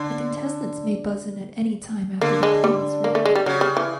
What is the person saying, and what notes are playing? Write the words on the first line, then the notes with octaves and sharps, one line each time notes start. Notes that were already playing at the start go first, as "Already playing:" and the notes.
The contestants may buzz in at any time after the clue is read.
Already playing: D3
D3 A#3
G#3
G3
A#3
A3
G#3
G3
C#3 F#3
G3
E3